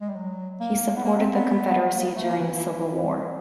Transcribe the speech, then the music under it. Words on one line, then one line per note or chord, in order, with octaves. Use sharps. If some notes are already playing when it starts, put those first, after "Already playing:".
He supported the Confederacy during the Civil War.
G#3
G3
F#3
A#3
B3
A#3
C4
B3
B3
A#3
A3
A#3
E3